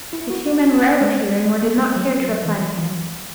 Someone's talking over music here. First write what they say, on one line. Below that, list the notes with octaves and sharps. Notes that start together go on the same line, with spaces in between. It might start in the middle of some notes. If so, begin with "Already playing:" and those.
The two men were out of hearing, or did not care to reply to him.
E4
F#4
F#4
G#3
G#3
A#3
A#3
F#3
F#3
E3
F#3
E3